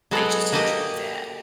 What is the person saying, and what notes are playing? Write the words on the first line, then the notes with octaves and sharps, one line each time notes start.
they just enjoy that.
F#3 G#3 B3 A4 F#5
A#3 F#4 G4 A4 D#5